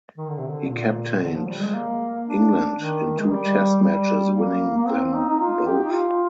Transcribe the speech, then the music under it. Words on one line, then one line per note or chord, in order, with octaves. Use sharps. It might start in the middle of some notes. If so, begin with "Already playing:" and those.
He captained England in two Test matches, winning them both.
D#3
D3
C3
D3
A#2
D3
F3
G3
G#3
A#3
D4
D#3
G#3
G3
G3
A#3
A#3
C4
D#4
D#4
F4
G4
D#4
F4